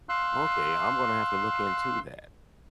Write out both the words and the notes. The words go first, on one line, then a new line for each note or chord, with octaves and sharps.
Okay, I'm gonna have to look into that.
F5 C6 E6 F#6